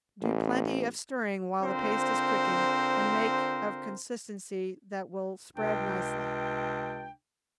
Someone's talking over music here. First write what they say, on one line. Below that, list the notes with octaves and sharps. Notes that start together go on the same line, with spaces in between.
Do plenty of stirring while the paste is cooking, and make of consistency that will spread nicely.
A1
D3 C4 F4 A#4 C5
C#2 C3 D4 G5